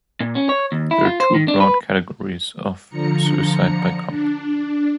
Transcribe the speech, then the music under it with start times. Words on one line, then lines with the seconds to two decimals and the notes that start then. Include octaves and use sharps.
There are two broad categories of "suicide by cop".
0.20 A#2
0.35 C#4
0.49 C#5
0.72 D#2
0.91 E4
1.05 F4
1.20 C5
1.34 D#3
1.48 D4
1.60 B4
2.89 D3 F3 A#5 C#7
4.08 D4